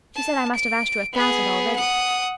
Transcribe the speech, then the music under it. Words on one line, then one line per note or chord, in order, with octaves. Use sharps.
She said I must have asked her a thousand already.
A5
D7
B3 G#4
F#5 D#6